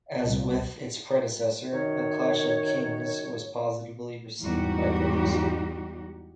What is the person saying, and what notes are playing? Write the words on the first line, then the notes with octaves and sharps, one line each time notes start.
As with its predecessor, "A Clash of Kings" was positively received by critics.
C2
F#2 D#3 C#5
E2 G#2 G3 D#4 F#4 G4